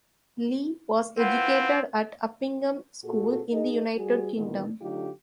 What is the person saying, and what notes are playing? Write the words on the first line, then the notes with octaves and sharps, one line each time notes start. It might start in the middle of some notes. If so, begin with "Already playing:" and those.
Li was educated at Uppingham School in the United Kingdom.
C4 E4 F4 B4 F#5
A#2 F#4 G#4 A4
D#4 G#4 D#5
G3 F#4 G#4
A#2 D#3 E3 G3 B3
D3 F#3 A3 D#4 F4 G4